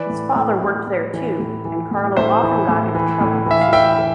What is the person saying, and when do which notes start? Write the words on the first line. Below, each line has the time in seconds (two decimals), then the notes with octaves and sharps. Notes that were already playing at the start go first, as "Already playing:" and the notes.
His father worked there too, and Carlo often got into trouble for singing.
Already playing: E3 B4 D5
0.10 A2
0.36 A2
0.62 A2
0.87 A2
1.14 E3
1.39 A2
1.65 E3
1.91 A2
2.17 A2 C5 E5
2.43 E3
2.69 A2
2.95 E3
3.21 A2
3.46 E3 E5
3.61 F5
3.73 E3 E5 G5
3.99 E3